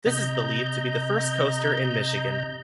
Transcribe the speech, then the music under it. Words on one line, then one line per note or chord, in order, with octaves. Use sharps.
This is believed to be the first coaster in Michigan.
C3 D#5 A#5 G6